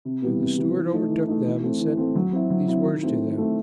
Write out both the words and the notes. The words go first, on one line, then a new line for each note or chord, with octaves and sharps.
So the steward overtook them and said these words to them.
C3
E3 G3 B3
C3
E3 G3 B3
E3
A3 D#4
E3
A3 D#4
E3
A3 C4
E3
A3 C4
F#3
C4 E4
F#3
C4 E4
D#3
A3 C4 E4
D#3
A3 C4 E4